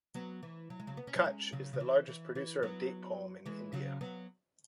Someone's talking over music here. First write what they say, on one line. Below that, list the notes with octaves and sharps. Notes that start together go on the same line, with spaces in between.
Kutch is the largest producer of date palm in India.
F#3 B3
E3
F#3
G#3
C#3 F#3
B3
C#4
F#3 B3
G#3 C#4
C#3 F#3
C#3
E3
E3
E3
F#3 B3
E3 G#3
C#3 F#3
F#3 B3